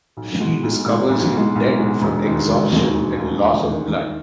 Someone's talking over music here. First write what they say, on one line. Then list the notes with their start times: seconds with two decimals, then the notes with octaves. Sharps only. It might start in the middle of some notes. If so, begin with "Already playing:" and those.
She discovers him dead from exhaustion and loss of blood.
0.17 B1
0.40 B2 G#3
0.63 B1
0.86 B2 G#3
1.10 B1
1.32 B2 G#3
1.55 B1
1.79 B2 G#3
2.02 E1
2.25 D#2 D#3 G#3
2.49 E1
2.71 D#2 D#3 G#3
2.94 E1
3.17 D#2 D#3 G#3
3.41 E1
3.64 D#2 D#3 G#3
3.88 D#3